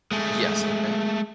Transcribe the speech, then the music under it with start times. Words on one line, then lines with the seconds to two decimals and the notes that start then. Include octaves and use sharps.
Yes, okay.
0.11 G#3 A3